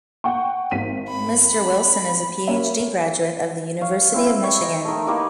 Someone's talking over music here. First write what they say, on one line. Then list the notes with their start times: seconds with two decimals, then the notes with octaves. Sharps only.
Mr. Wilson is a Ph.D. graduate of the University of Michigan.
0.24 F#5 G5 C#6
0.71 G#1 B6 D#7
1.08 B5
2.48 A#3 C#4 E5
3.81 C#5 F5
4.14 C4 E4 G5
4.43 C#5
4.60 A#4 D#5 G5
4.85 D#3 A3
5.06 A#3 E4 G4 B4